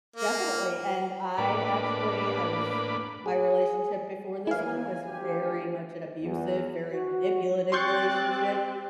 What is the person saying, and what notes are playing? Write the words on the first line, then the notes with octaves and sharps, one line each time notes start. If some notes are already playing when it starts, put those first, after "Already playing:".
definitely, and I, actually I was my relationship before this one was very much an abusive, very manipulative relationship,
A#3
A2 A#3 D4 B4 B5 D6
G#4
D#2 E3 E4 F5 G#5
D2 F3 G4
E2
F#4
C4 G4 C6 C#6 F#6 G6 A6